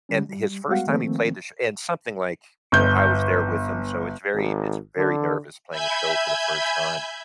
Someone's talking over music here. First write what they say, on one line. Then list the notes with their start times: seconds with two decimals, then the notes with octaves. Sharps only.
and his first time he played the sh and something like, you know, I was there with him, so, it's very it's very nervous playing a show for the first time,
0.09 D3 G3 C#4
0.29 G3
0.68 G3 G#3 B3 F#4 F5 F#5
0.87 D#3 F3 A3 A#3 C4
2.72 G1 G6
4.34 G#1
4.97 D3
5.70 E5 G#5 B5 G6 G#6